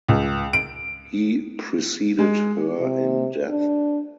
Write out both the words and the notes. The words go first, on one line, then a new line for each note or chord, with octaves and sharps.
He preceded her in death.
C#2
D7
G#3
C3
D4